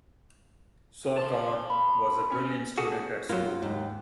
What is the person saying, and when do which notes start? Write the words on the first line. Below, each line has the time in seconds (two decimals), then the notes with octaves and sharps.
Sorcar was a brilliant student at school.
1.18 A5 C6
1.70 B5
2.32 C#4
2.78 F#4 G#4 A4
3.29 F#2 F#3 A#3 F4
3.62 D#2 G#2